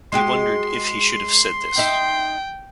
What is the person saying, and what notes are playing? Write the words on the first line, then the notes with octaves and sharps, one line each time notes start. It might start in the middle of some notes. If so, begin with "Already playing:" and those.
He wondered if he should have said this.
G#3 F#4 G4 C6
D#4 E5 G5